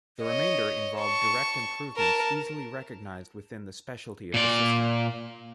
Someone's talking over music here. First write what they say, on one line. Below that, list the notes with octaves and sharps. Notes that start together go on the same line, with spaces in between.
The remainder involved direct improvements easily recognized within the specialty of the system.
C#5 D#5
A5 C#6
A#4 A5
A#2 D5